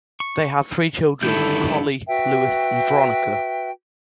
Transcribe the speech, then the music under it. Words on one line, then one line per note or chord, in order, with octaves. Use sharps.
They had three children: Colley, Lewis and Veronica.
C#6
G2 D3 D#3 E4 A4 G6
F#4 B4 E5 G5